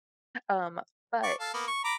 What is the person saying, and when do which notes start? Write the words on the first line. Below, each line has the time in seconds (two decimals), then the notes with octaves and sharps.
um, but,
1.23 D5 C#6
1.40 A4 F5
1.54 A#3 B3
1.68 C#6
1.84 A#5 B5 D6